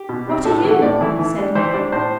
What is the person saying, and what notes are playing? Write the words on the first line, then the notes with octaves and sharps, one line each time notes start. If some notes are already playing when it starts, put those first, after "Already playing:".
"What are you?" said Mary.
Already playing: G4
B2
G3 C4
A2 A4
B4
E3 A3 E4
F#5
A2 D5
E3 A3 E4
E3
G3 D4
E3 C5
G3 D4 D5
A2 C5